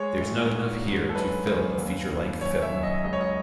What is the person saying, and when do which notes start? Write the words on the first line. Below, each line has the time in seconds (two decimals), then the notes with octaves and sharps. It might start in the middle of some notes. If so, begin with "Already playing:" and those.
There's not enough here to fill a feature-length film.
Already playing: G#3 C#5
0.20 A2
0.52 G#2
0.84 G#2
1.09 A4
1.15 F#2 B4
1.46 F#2
1.78 D#2
2.09 D#2
2.41 F#2 C#5
2.62 E5
2.72 F#2
2.83 D#5
3.04 C#2 D#5
3.13 C#5
3.21 D#5